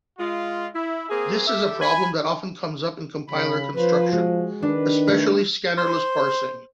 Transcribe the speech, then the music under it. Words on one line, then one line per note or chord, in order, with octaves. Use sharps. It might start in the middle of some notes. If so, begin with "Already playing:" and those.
This is a problem that often comes up in compiler construction, especially scannerless parsing.
G#3 F4
E4
A#3 C4 G#4
G4 A4 E5
G#5 B5
C#3 B5
F3 B4 C5
G#3 F#4
D#3 D4 B4
A3
C5